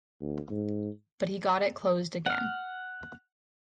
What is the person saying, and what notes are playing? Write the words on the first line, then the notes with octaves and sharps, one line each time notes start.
But he got it closed again.
D2
G#2
F#5 F6